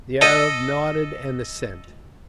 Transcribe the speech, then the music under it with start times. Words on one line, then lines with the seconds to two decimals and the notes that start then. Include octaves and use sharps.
The Arab nodded an assent.
0.21 A4 D#5